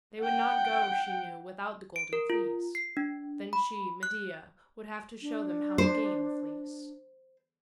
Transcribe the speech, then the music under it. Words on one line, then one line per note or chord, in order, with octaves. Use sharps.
They would not go, she knew, without the Golden Fleece; then she, Medea, would have to show them how to gain the Fleece.
F#5 G5
D7
A#4
F4
C7
D4
B5
F#6
D4
C5